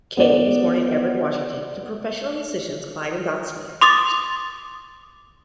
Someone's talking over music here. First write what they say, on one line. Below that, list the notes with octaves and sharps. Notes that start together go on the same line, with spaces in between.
Kaye was born in Everett, Washington, to professional musicians Clyde and Dot Smith.
B3 D5
C6 D6 D#6 A6